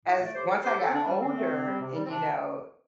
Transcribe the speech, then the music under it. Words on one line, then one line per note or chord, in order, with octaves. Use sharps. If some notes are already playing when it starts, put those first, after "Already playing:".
as once I got older and, you know,
A2
A3 D5
A2 G4 C5
G3 E4 A4
C3 G4 C5
A3 E4 A4
C4
D3 D4
G3
D3 C4
A3
C3
G3
C3
G3
C4
C3 D4